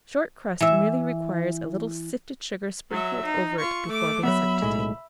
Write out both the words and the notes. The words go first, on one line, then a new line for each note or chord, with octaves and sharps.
Short crust merely requires a little sifted sugar sprinkled over it before being sent to table.
E3 E5
F#3 E5
D#4
F4 C#6
A3 D6
F#3 G#3 B3 E5 B5
B1 A2 G#3